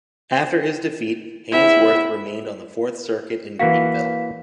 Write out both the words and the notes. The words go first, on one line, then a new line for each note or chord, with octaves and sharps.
After his defeat, Haynsworth remained on the Fourth Circuit in Greenville.
E2 C4 E4 E5
E3 A#3 F#4 F5 B6